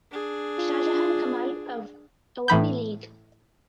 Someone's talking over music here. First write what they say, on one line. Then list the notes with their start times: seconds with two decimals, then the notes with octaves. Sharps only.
Shahjahan Kamal of Awami League.
0.11 D4 G#4
0.58 F4
2.48 A2 E3 B5 G6